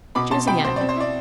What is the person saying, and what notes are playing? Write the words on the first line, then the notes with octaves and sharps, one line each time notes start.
Choose again.'
B2 B5 D6
B2 A5 C6
B2 G5 B5
B2 C5
C4 D5
C5
E4 D5